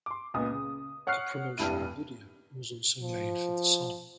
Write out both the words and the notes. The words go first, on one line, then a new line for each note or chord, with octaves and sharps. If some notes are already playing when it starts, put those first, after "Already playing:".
A promotional video was also made for the song.
C6 D6
C#2 A#2 B3 D#6
C#3
C#5 F#5 C#6 F6 F#6 C7
F1 G2 G3 E4 D#7
F3